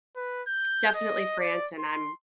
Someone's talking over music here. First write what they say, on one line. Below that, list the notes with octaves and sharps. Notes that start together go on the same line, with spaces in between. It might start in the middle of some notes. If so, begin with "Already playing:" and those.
definitely France and I'm
B4
G6
D#5
D5
C6